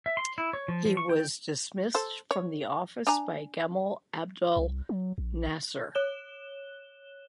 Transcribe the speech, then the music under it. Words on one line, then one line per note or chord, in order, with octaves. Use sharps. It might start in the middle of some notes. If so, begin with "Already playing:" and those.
He was dismissed from the office by Gamal Abdel Nasser.
E5
C6
E4
C#5
F3
F3
C#6
G5
A4 C5
C#5
D4 G#5 A#5
C2
F#3
A#1
C#5 F#6 E7 G7